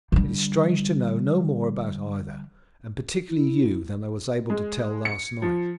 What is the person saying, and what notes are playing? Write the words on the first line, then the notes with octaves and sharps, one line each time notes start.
It is strange to know no more about either, and particularly you, than I was able to tell last night.
D3 G3
E4
G#3
C#7
F3